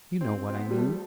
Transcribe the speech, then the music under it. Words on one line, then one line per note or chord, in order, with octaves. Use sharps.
You know what I mean.
C4
C4
B3
G3
A3